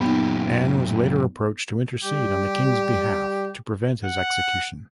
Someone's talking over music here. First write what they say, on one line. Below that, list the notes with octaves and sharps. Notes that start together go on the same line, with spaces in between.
Anne was later approached to intercede on the King's behalf to prevent his execution.
F#2 A#2 B3 D#4 G4
G3 G4
F#5